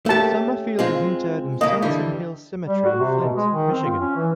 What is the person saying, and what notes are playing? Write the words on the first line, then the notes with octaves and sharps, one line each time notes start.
Summerfield is interred in Sunset Hills Cemetery in Flint, Michigan.
A3 A#3 C#4 G4 A5
G#3 C4 F4
C#3 A#3 D#5
D3 E3 G3
G3
F#4
C3
B2
G#3
D#3
C4
F4
C#4
E3